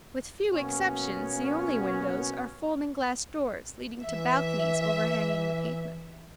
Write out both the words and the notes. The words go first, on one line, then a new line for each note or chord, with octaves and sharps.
With few exceptions, the only windows are folding glass doors leading to balconies overhanging the pavement.
B2 F#3 A#3 B3 C#4
E3 E5